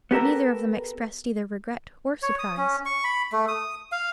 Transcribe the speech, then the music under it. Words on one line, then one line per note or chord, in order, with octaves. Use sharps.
But neither of them expressed either regret or surprise.
B3 G4 A4 A#4
C#5
D#6
C#4
C#6
B5
A3
D#6
F5